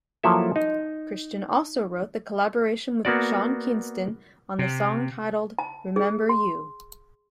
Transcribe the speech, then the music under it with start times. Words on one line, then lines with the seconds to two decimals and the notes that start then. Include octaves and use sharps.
Cristian also wrote the collaboration with Sean Kingston on the song titled "Remember You".
0.23 F3 F#3 A#3 E4 A4 E5
0.56 D#4
3.05 A#3 B3 F#4 D5
4.59 C3
5.59 A5
5.96 G#4
6.29 C6